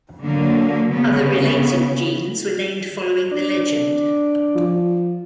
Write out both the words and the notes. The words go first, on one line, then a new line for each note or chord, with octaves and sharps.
Other related genes were named following the legend.
D3 F#3 A#3
C#3 B3
D4 D5
F3